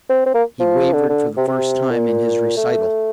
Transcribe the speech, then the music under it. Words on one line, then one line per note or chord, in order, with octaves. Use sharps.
He wavered for the first time in his recital.
C4
C4
A#3
F3
D3
D3
C3
C3
A#2
A3